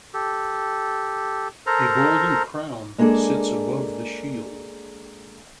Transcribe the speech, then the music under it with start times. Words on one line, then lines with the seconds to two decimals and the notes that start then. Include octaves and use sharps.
A golden crown sits above the shield.
0.14 G4 A4
1.66 A4 A#4 C5 A#5
2.98 G#3 A#3 D4 G#4 A4